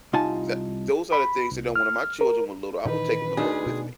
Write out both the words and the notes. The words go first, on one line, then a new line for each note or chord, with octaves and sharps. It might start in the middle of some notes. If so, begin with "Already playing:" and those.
tha those are the things that you know, when my children were little, I would take 'em to work with me,
C2 D#4 F4 G#5 A5
B5
C2
F6
A#4
A#2 D#3 E3 D#4 B4
D2 D4 D#4 G#4
B2